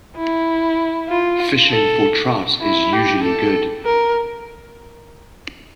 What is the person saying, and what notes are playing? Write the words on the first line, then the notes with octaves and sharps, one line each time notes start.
Fishing for trout is usually good.
E4
F4
A4
E4
G4
A4
A#4